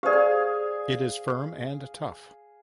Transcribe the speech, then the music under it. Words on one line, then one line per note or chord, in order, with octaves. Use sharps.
It is firm and tough.
G4 G#4 C5 D5 F5